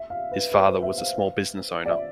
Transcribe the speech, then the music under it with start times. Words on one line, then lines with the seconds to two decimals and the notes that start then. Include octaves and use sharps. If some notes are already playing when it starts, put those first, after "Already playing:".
His father was a small business owner.
Already playing: E5
0.10 F5
0.31 B4
0.52 B4
0.67 C5
0.82 E5
0.98 F5
1.86 D5
1.90 E5